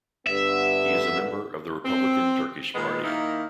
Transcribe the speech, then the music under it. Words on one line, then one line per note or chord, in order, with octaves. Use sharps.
He is a member of the Republican Turkish Party.
G2 D3 B3 E5
C4
A#2 D#3 G#3 B3
D#3 A#3 D#4 E4 A#4